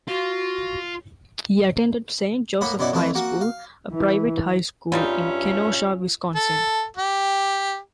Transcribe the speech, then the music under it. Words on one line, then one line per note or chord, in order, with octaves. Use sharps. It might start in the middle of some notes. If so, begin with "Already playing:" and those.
He attended Saint Joseph High School, a private high school in Kenosha, Wisconsin.
F4 F#4
A2 A#3 F#5 B5
F#2 B2 E4 D5 F#5
F2 E3 A3 B4
A#3 F#4 F#5
F5
E3
G2 C#3 G3 C#4 D#4 F4 E5
A4
G4